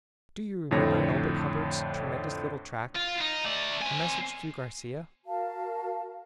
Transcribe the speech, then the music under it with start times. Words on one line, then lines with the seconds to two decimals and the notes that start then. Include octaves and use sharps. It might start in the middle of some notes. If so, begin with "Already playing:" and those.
Do you remember Elbert Hubbard's tremendous little tract, "A Message to Garcia"?
0.71 F2 A2 D3 C#5 A#6
2.96 F4
3.21 D#4
3.45 A3 D5
3.82 C4 G#5
5.25 F#4 A#4 F5 A5